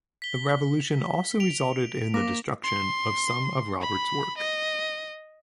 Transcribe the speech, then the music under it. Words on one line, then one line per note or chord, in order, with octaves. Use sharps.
The Revolution also resulted in the destruction of some of Robert's work.
B6 G7
D7 F7
A#3 D6 A#6
C6
B5
D#5